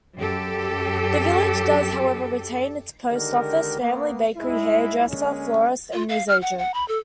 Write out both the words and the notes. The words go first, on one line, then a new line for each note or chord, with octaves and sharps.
The village does however retain its post office, family bakery, hairdresser, florist and newsagent.
F#2 G4 A4
D3 D#3 G#3 G4 A#4
A#3 B3
G#2 G#3 E4
D3 G#3 A#3 C#4
F4
F5
F6
F#5
F#5
B5
A4